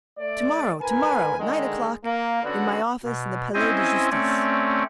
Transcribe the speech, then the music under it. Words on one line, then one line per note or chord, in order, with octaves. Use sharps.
"To-morrow!--to-morrow, at nine o'clock, in my office in the Palais de Justice."
A3 D5
G#2 A#4 B4 G#5
D3 D#3 G#3
A#3
D3 B3 C#4 D4 F#4
B2
C4 C#4 E4 C5 D#5 G#5
A3 C4 C#4 C#5 D5